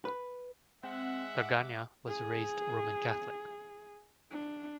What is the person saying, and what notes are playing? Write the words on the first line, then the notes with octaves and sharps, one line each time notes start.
Draganja was raised Roman Catholic.
B4
G#3 C4 E5 F#5
D6
G#4
D4